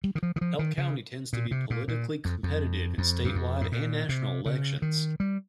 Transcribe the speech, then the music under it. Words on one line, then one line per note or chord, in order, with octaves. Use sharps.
Elk County tends to be politically competitive in statewide and national elections.
G3
D#3
F3
D#3
F3
D#3
C#3
A#2
C3
A#2
A#2
F2
F2
F2
G2
F2
G#2
A#2
C3
C#3
D#3
G3